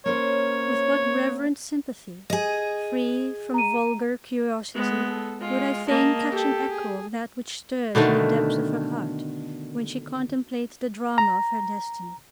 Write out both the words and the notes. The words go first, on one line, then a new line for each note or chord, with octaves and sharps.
With what reverent sympathy, free from vulgar curiosity, would I fain catch an echo of that which stirs in the depths of her heart when she contemplates the drama of her destiny.
A#3 C#4 C5 C#5
G#4 D#5
A#5 D#7
G#3 B3
A4
G#3 F4
A#3 D#5 A5
G4 A4
G#4
B2 D3 D#3 A3
A#5